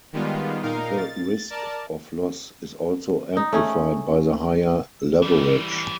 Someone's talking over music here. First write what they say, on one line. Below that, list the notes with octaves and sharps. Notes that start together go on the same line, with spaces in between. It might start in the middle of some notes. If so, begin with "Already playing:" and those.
The risk of loss is also amplified by the higher leverage.
D#3 G3 G#3 B3 F4
A#2 D#4 A#4 F5
A6
A#4 D5 A5
D#4
A3 C#4 G#4
E3 G3